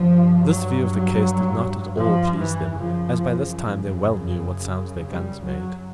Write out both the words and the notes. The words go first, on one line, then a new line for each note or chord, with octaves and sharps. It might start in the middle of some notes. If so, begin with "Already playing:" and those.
This view of the case did not at all please them, as by this time they well knew what sounds their guns made.
Already playing: G2 F3
F#3
F3
E3
F#2 C#3 F3
G3
F#3